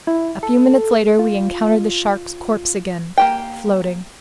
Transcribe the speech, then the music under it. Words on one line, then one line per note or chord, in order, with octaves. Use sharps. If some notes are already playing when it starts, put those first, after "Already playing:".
A few minutes later we encountered the shark's corpse again, floating.
E4
A4
F4
A#3 G4 G5